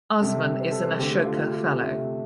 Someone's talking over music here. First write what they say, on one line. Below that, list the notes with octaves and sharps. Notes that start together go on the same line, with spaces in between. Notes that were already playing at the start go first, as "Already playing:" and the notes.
Usman is an Ashoka Fellow.
C3 G3 A4
C5
A4
C5
D3 A3 G4
F4
G4
C3 A3